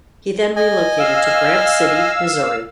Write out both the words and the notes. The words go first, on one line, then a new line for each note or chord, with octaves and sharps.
He then relocated to Grant City, Missouri.
D#5 G#5
F5 E6